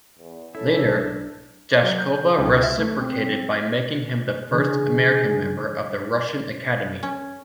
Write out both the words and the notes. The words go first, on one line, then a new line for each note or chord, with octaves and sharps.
Later, Dashkova reciprocated by making him the first American member of the Russian Academy.
E2
C#4 E4 A4
B1 D4
F#3
G6
C#2
E5
A3
C4
C#3 E3 D4 G#4
C#4